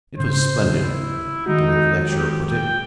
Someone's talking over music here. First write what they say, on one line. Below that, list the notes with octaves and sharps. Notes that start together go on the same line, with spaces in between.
It was splendid, the way the lecturer put it.
G#2 C#3 C5
E4
D#3 G#3 D#4 F#4
G4
G5